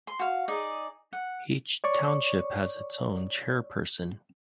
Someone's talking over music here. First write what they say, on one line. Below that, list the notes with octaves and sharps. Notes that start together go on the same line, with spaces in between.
Each township has its own chairperson.
C6
F#4 F5
D#4 G#4 D5
F#5
C#5 D5 C#6